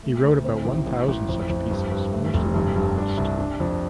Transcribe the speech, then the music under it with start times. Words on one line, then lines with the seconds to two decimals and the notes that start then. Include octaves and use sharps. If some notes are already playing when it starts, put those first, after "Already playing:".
He wrote about one thousand such pieces, most of them lost.
0.03 A3
0.24 D2
0.44 C4
0.65 A1
0.87 A1
1.08 A1
1.29 F2
1.49 F2
1.71 G2
1.92 G2
2.12 A3
2.34 F1
2.54 G2
2.76 G2
2.97 D4
3.17 C2
3.38 D4
3.60 F2